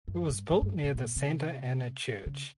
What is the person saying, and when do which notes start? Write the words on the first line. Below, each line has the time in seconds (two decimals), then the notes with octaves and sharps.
It was built near the Santa Ana Church.
0.08 F#2
0.30 G2
0.51 G#2
0.62 G2
0.84 A2
0.95 A#2
1.16 C3
2.26 C#3